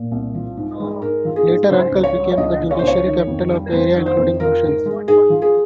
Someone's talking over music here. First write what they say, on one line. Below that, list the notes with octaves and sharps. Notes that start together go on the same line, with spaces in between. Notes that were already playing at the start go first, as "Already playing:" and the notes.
Later, Uccle became the judiciary capital of the area including Brussels.
Already playing: A#2
C2
F3
G#2
G#3
G#2 A#4
F3
G#4
G#2
C#3 C5
C#2
C#5
G3
C#5
C#2 D#5
C#3
C#5
C5
C#2 C#5
D#3
F2
G3
F2 C5
D#3
C5
F2
F3 A#4
G#2
G#3
G#2 G#4
F3
G#4